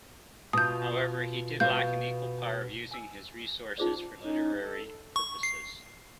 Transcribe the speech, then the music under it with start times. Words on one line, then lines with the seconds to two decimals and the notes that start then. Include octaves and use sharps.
However, he did lack an equal power of using his resources for literary purposes.
0.53 B2 F4 A5 D#6 G6
1.60 B2 B3 F4 F5 G6
2.91 G#5 E6
3.78 C#4 D#4 F4 G#4 C5 D5
4.22 C#4 D#4
4.61 A4
5.16 C#6
5.43 C7